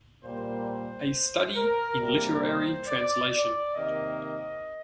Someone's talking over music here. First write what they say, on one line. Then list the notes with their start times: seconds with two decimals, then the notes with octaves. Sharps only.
A Study in Literary Translation.
0.23 A#2 G3 A#3 C5
0.68 C5
1.56 A#4
1.99 C3 G3 A#3 A#4
2.43 C5
2.87 D5
3.31 D5
3.74 C3 D#3 A#3 D#5
4.18 D#5